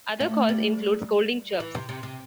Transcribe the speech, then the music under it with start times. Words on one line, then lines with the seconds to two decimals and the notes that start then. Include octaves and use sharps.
Other calls include scolding chirps.
0.20 A3
0.49 G3
1.60 E3
1.75 C3
1.89 C3
2.03 C3